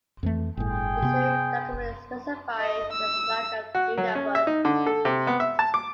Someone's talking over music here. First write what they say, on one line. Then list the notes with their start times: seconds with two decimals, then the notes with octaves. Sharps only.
The same document specified the flag of Nunavut.
0.23 F2 E3 A3
0.57 G1 A2 G#4 G5
1.02 C3 B3
2.60 D#5
2.92 E6
3.75 F#4
3.98 F#3
4.15 C#4
4.35 E5
4.47 D#4
4.65 D3
4.86 A4
5.05 C3
5.27 B3
5.40 E5
5.59 A5
5.74 D6